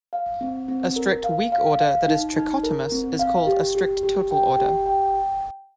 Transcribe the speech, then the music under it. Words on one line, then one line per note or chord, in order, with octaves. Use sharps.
A strict weak order that is trichotomous is called a strict total order.
F5
C4
C4
A#4
F5
F5
F5
D#4
D#4
A#4
C4
F5
G4
G4
G4
G5
G4
G5